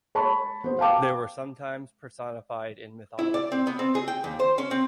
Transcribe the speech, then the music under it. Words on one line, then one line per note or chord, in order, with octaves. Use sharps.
They were sometimes personified in mythology.
C#5 A5 B5 C#6
B3 C5
F5 G5 A5 D6
E4
D5
C4
B3
C4
G#4
G5
D#2
C5
C#4
C4